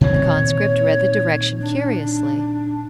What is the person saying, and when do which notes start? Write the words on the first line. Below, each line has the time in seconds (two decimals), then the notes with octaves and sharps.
The conscript read the direction curiously.
0.01 A#2 D#3 C4 C#5
1.61 D4